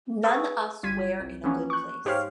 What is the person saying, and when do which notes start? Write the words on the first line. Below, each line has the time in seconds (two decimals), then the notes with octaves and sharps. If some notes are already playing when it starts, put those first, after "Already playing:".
None us where in a good place.
0.24 G#4 B4 F5 B5 C#6 E6
0.83 G1 G3 F4 G#6 B6 D#7
1.20 C2
1.44 E3 F3 A#3 B3 C#4
1.70 C#6 F#6
2.05 G#2 G4 C5 C#5 F5 F6